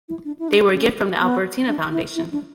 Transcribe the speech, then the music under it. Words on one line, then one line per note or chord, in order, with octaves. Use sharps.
They were a gift from the Albertina Foundation.
E4
D4
E4
D4
C#4
B3
D4
E4
E4
D4